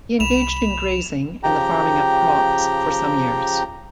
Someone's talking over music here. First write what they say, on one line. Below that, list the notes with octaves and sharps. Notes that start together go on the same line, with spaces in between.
He engaged in grazing and the farming of crops for some years.
C2 B5 E7 F7
C#3 F3 G4 G5 A#5